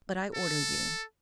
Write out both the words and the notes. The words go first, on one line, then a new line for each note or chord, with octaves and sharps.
But I order you.
A4